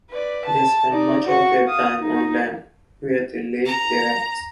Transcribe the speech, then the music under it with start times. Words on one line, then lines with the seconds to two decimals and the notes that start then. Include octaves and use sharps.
They spend much of their time on land, where they lay their eggs.
0.10 B4 D5
0.46 A5
0.91 D#4 D5
1.26 F#4 C#6
1.66 F5 D#6
2.00 D#4
3.65 A#5